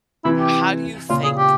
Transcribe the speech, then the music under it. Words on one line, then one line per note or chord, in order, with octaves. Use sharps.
how do you think
C3 E3 E4
G4
A#2 C#3 F4
G#4
G4